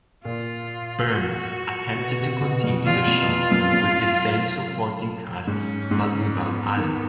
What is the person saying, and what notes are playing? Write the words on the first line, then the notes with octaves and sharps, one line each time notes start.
Burns attempted to continue the show with the same supporting cast but without Allen.
A#2 F4
F#4
B2
C3
B2
F2
E2 F4
F2
F2
F#2
F#2
G#2 C#4
G#2
B3
D#3